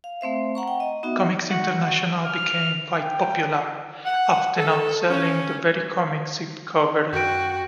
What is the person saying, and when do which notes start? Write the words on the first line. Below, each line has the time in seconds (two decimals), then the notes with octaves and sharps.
Comics International became quite popular, often outselling the very comics it covered.
0.04 F5
0.21 A3 C4 C5 E5
0.55 F#5 A#5 C#6
0.68 G5
0.80 D#5
1.03 B3 D#4 F#4 E5
1.51 F#4
2.23 F6
2.99 G5
4.06 F#5
4.57 A4
5.10 C#4
7.13 F#2 F#4 G5 G6 D7